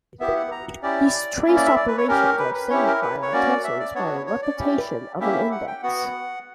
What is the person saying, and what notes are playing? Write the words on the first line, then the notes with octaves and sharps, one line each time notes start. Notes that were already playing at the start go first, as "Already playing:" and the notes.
These trace operations are signified on tensors by the repetition of an index.
B3 E4 G4 E5
F#5
A#5
C#4 E4 G4 D5
A#3 C#4 E4
D5
E5
D5
B4
C#5
C#4 G4 A#4
B4
B4
C#4 E4 G4 C#5
A#4
B4
C#5
A#3 C#4 F#4 D5
E5
D5
B3 D4 F#4 C#5
C#5
D5
C#4 E4 G4
A#3 C#4 E4 G4 E5
F#5
G5
B3 F#4 F#5